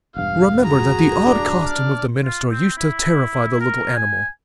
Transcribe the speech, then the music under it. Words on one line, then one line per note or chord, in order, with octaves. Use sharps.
Remember that the odd costume of the minister used to terrify the little animal.
E1 G2 F5
F#4 G#4 A#5
D4
D5 F6
F4
C4
E4
A#4
G#5